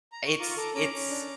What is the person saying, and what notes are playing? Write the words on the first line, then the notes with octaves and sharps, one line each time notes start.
It's it's
A#5
C#6
F4 A#5 D6
C#6
A4 A#5 D6
C#4 A#5 D6
C#4
D4